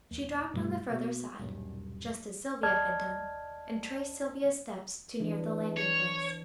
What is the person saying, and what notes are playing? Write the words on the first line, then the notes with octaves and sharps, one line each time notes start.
She dropped on the further side, just as Sylvia had done, and traced Sylvia's steps to near the landing-place.
D#2
D#1
G2 B2 G3 A3
B2
D#1 B1 G2
D#2 D5 D#5 A5 F6 G#6
E3 D4
C#5